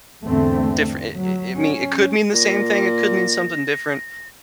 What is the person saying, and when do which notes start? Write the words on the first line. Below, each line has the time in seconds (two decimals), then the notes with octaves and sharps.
different it it mean it could mean the same thing, it could mean something different.
0.23 E2 G#2 D3 A3 C4
1.18 F#3
1.56 C#4
2.33 A#2 A#6